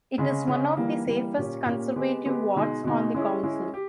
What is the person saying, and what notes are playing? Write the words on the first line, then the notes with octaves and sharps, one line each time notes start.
It is one of the safest Conservative wards on the council.
C#3 G#3 C#4
C#3 G#3 C#4
E3 G3 A#3
E3 G3 A#3
A#2 A#3 C#4 G4
A#2 A#3 C#4 G4
G#3 B3 G4
G#3 B3 G4
B2 G#3 D#4
B2 G#3 D#4
G#3 C#4 E4 G#4
G#3 C#4 E4 G#4
G4